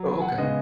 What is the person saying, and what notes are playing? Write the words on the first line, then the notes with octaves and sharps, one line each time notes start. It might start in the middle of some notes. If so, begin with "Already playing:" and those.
Oh, okay.
Already playing: F#3
F#5
C#3 G#3 B3 D#5